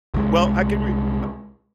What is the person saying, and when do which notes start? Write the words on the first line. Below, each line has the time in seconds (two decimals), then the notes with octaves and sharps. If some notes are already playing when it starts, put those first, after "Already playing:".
Well, I can re uh
0.14 C2 G#3